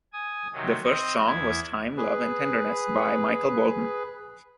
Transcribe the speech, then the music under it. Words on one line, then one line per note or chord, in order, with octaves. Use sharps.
The first song was "Time, Love and Tenderness" by Michael Bolton.
G#5 D#6
C3 D#3 F#3
C4 D#5
E2 E4 G#6
G#4 B4